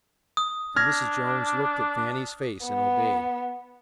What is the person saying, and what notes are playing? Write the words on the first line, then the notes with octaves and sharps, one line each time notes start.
And Mrs. Jones looked at Fannie's face and obeyed.
D#6
D4 F6 G#6 A#6
B3